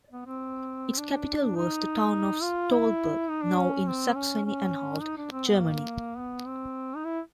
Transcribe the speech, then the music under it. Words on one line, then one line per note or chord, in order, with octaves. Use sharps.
Its capital was the town of Stolberg, now in Saxony-Anhalt, Germany.
B3
C4
D4
D#4
F4
E4
D#4
D4
C#4
C4
C#4
C#4
D#4
D4
C4
B3
A#3
B3
C4
D#4
E4